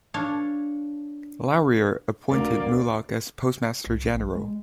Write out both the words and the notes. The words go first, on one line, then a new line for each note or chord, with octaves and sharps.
Laurier appointed Mulock as Postmaster General.
D4 C#5 F5
D2 A#3 D5
C2
A#1
G#3